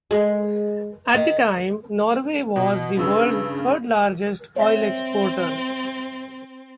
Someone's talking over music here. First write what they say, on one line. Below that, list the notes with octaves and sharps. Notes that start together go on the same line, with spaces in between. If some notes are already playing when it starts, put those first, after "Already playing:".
At the time Norway was the world's third largest oil exporter.
G#3
D#3
B2
G2 C#3 B4 E6
C4 C#5 E5